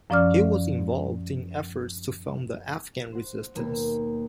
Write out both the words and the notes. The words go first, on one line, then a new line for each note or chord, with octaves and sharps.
He was involved in efforts to fund the Afghan resistance.
F#2 F3 C#4 D5 D6 F6
C5 F#5
D#2 B2 A#3